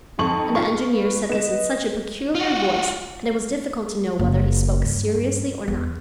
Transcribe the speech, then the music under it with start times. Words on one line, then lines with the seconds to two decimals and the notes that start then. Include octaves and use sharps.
And the engineer said this in such a peculiar voice that it was difficult to know whether he spoke seriously or not.
0.19 F2 D#4 C#6 F#7
0.55 F4 C#6
0.93 B4
1.29 B3 D#5 E7
2.35 F4 F#4
4.19 F#1
4.85 G2
5.68 E2